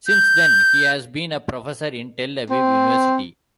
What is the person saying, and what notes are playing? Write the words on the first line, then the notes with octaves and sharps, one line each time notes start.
Since then, he has been a professor in Tel-Aviv University.
G6
C4